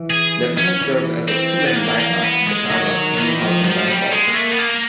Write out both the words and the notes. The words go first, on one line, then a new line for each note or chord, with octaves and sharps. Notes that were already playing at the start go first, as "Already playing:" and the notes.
The tunnel serves as a two-lane bypass the town of Neuhausen Rhine Falls.
Already playing: E3
G#4
C#4
E3
C4
B3
A#3
A#3
B3
G#3
D#3 F#3
D#3
D#3 E3
F3
F3 F#3
G3
G#3
A#3
A3
B3
A#3